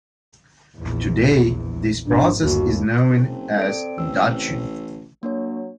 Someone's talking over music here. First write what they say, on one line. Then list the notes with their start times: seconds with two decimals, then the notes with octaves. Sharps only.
Today, this process is known as "Dutching".
0.77 A#1 E2
2.07 G#1 D4
2.42 G1 D#2 F#4
3.09 F#1 C4
3.58 A4 D5 D7
3.98 A1 E6
5.23 F#3 A#3 D4 C#5